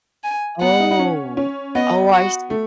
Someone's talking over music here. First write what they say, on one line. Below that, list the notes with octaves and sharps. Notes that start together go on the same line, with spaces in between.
Oh. Oh, I see.
G#5
B3 F#5
D#4
D#4
C#4
C#4
B3 D#5
F#4
A3